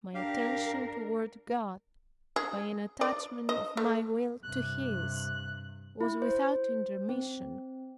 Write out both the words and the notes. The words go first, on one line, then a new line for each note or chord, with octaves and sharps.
My attention toward God, by an attachment of my will to His, was without intermission.
D4 G4 A#4 F5
G#4
D5
D#5
A3
G2 C3 F#6
E4
C5
C4